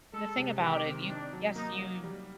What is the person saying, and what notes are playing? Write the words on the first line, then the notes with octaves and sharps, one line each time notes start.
the thing about it, you yes, you
G#3 A4
C3
D#3 G4
C4
D4 D#4
F#3
A#3 D#4
F#3
G3